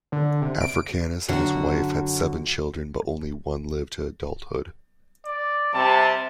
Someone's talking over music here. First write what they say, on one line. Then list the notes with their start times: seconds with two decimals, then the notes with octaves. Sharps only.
Africanus and his wife had seven children, but only one lived to adulthood.
0.12 D3
0.42 C3
0.61 D7
1.28 F#2 D3 F#4
5.26 D5
5.74 C3 G3 A5